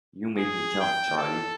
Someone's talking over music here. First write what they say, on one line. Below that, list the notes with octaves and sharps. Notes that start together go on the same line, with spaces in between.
You made me jump, Charley.
G#4
G5
A4